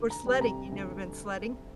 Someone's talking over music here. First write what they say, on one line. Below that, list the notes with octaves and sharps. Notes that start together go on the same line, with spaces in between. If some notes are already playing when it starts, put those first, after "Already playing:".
Or sledding. You never been sledding?
Already playing: D2
A#5
C3 G3
A#5
D2